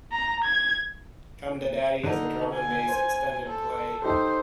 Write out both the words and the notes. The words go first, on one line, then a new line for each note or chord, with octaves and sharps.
"Come to Daddy" is a drum and bass extended play.
A#5
G#6
D3 D#4
G#5
C5
A4
D#4 G4 A4 C5